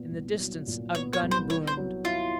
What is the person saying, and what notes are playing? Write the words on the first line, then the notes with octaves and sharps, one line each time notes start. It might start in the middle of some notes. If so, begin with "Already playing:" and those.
In the distance a gun boomed.
Already playing: A#2 B3
C2
F#3
A#2
B3 C#5
C#5
C2
C5
B3 C#5
C5
F#3
E4 F4